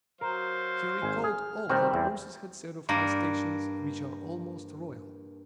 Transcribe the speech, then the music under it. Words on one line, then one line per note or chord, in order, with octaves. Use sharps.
He recalled all that Ursus had said of high stations which are almost royal.
F#3 A#4 C5 F5
G#1 G#5
G#4 F6
D#3 G3 C4 F#4
E2
G2 A#3